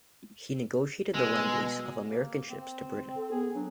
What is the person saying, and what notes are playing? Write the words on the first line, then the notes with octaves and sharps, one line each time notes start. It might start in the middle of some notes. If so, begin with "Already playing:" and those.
He negotiated the lend-lease of American ships to Britain.
B2 G#3 G#5 E6
A#3
C4
A4
B3 G#4
F#3 D4